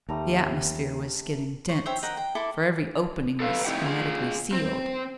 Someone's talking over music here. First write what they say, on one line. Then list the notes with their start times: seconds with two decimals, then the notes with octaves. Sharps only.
The atmosphere was getting dense, for every opening was hermetically sealed.
0.09 D#2 G3 A3 A#5
1.69 C5 C#6
1.86 C5 C#5 E5 G5
2.02 A#4 D#5 F#5 G5
2.17 G5
2.35 E4 A4 C6 D6
3.40 A4 B4 F5
3.65 C4 D#4 E4 G4 F#5
3.86 F4 G#4
4.53 C4